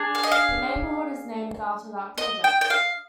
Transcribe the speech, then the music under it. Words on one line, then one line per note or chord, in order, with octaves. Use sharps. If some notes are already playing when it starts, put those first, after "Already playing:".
The neighborhood is named after that project.
Already playing: D4 G#4
F5
D#5
F5
D#5
G5
G5
F5